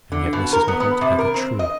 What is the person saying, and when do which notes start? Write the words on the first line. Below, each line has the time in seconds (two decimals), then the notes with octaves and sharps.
And yet this is not altogether true.
0.12 D3
0.33 B2
0.53 A#4
0.68 B3
0.80 B3
1.01 C3
1.19 A#4
1.34 C4
1.59 D#5